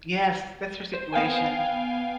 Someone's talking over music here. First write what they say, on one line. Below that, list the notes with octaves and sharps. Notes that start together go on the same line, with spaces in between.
Yes, that's your situation.
C5
B3 F5 G5 G#5